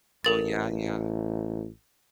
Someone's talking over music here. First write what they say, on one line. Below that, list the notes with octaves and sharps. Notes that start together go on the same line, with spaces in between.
Oh, yeah, yeah.
A1 A4 A#4 A6